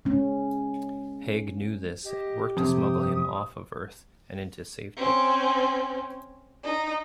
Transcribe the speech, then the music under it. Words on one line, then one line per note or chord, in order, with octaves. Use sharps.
Hague knew this, and worked to smuggle him off of Earth and into safety.
G#3 C#4
G4 D#5
F2 C3 D#6
C4 C#4
D#4